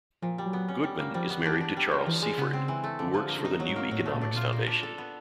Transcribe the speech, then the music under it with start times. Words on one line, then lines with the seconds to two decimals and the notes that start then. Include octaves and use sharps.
Goodman is married to Charles Seaford who works for the New Economics Foundation.
0.22 A#2 F3
0.38 G3
0.46 F#3
0.53 B3
0.68 C#4
0.83 G3
0.99 A#3
1.14 F3 G3
1.30 B3
1.38 E3
1.46 D4
1.61 D4
1.77 G3
1.92 A#3
2.06 E3 F3
2.22 G#3
2.37 C#3 B3
2.53 C4
2.68 E3
2.84 A3
2.99 D3
3.14 F3
3.30 A#3
3.38 C#3
3.45 C3 D#4
3.60 F#3
3.68 G#2
3.76 A#3
3.91 A2 F#3
4.06 A3
4.13 A#2
4.21 A2 D4
4.33 A#2 F4
4.53 A#3
4.67 D4
4.83 A4
4.98 B3